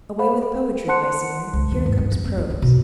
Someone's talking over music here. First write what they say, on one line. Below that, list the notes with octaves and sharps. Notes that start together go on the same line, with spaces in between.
"Away with poetry, my singer, here comes prose."
C5 F5 F#5 B5
A4
C5 F#5 A5 C6 F#6 C#7
C#2
D#2
G#2
C#4
F2
A#3
B3
F4
B2